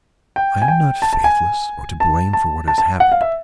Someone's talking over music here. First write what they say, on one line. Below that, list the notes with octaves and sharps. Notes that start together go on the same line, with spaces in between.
I am not faithless or to blame for what has happened.
G5
G#5
G5
A5
A5
G#5
A5
A5
A5
A5
F#5
F5
E5